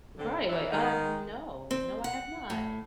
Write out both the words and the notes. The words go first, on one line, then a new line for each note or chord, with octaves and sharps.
Right, like, "Uh, no, no, I have not."
D3 C4
E3 D4 A#4 E5
D#3 G#3
C4
F#5
A2